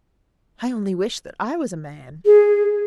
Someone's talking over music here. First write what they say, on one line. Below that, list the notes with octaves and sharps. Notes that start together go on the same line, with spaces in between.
I only wish that I was a man!'
G#4